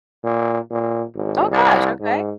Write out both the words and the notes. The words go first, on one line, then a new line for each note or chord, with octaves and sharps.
Oh gosh! Okay.
A#2
A#2
G#1
C2
G#2